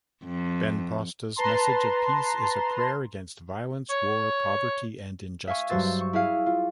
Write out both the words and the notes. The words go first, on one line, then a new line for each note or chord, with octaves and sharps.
Benposta's message of peace is a prayer against violence, war, poverty, and injustice.
F2
B4 A5 A#5 C6
C#5
E5 F5 G#5 C#6
G2 F#3 F#4 C5 E6 A6
C#6
E4 G#4 E5 F5
F4